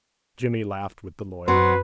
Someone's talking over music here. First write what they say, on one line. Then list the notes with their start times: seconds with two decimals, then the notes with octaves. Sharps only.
Jimmy laughed with the lawyer.
1.48 F#2 F#3 C4 B4 C6